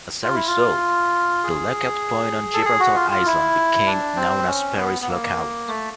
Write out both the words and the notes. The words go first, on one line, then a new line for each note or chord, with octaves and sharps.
As a result, the lookout point on Gibraltar Island became known as Perry's Lookout.
F4
E4
F4
G#4
A4
G#4
F#4
F4
F4
E4
D4
C4
C#4
B3
B3
A#3
A3